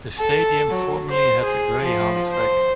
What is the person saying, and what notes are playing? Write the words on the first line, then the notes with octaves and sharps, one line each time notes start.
The stadium formerly had a greyhound track.
A4
F#3
C5
G#4
F3
C5